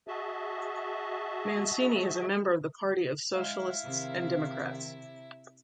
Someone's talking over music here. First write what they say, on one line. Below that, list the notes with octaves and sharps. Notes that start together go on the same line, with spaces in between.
Mancini is a member of the Party of Socialists and Democrats.
F#4 G#4 D#5 E5 A5
G#3 E4 F5
C3 D#3